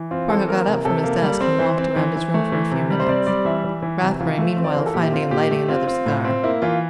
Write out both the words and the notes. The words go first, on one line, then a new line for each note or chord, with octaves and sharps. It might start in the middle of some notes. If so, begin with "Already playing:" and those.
Spargo got up from his desk and walked around his room for a few minutes, Rathbury meanwhile finding and lighting another cigar.
Already playing: E3
C4 F4
E3 A4
A#3 A#4
C3
C3 A4
A#3
G3
C4
E3 C5
C4
E3
E3
A3
E3
C3
G3
C5
C4 D5
G3 D5
E3 E5
E3
E3
C3
E3 F4
A3
C4
D5
C5
E3 A#4
A4
A#2 G4
E4
C4 F4
A#2 G4
A3
C4 F4
C4
A2
C4
A#3 E4
E3 F4